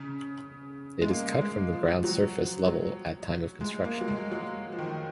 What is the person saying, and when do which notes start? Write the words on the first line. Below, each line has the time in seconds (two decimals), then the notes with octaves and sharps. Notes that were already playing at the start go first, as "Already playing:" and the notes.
It is cut from the ground surface level at time of construction.
Already playing: C#3
1.01 G#3
1.10 A#3
1.41 G#3
1.73 F3
1.99 F3
2.04 F#3
2.35 F3
2.67 F#3
3.61 G#3
3.84 A#3
4.01 F#3
4.08 G#3
4.32 F#3
4.72 F3
4.79 D#3